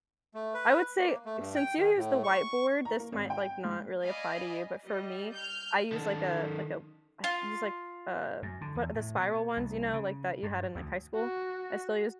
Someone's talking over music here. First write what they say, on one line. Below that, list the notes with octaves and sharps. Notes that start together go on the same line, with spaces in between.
I would say since you use the whiteboard this might like not really apply to you but for me, I use, like, a like, a I use, like, uh, what the spiral ones, you know, like, that you had in, like, high school. I still use
A3
B4
A#3
A3
G2
G5
D#3
A2
C#6
A#5
A#3
G#1
G5
G#2
D5 D#5 F5 G#5 B5
G3 D#5
F6 G6
D#3 A4
F4
F#2
D3
E2
A2
B2
C2
C#3
G2
D2
F#4